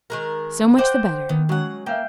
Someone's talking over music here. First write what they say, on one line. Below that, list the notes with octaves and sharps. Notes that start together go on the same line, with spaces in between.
"So much the better."
D#3 G#3 A#4
C5 D#5 F#5 G5 C6 D6
D#3 B3
F#3 G#3 C#4 F#5
A#3 E5 F5 G5